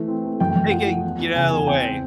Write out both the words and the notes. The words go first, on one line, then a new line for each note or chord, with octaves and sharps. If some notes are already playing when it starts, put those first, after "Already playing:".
Hey, King, get outta the way.
Already playing: E3 A3
C4
A3
F#2 G5
F#2
F3 F#5
F3
E2
E2
C#3 G#5
E2
C4 G5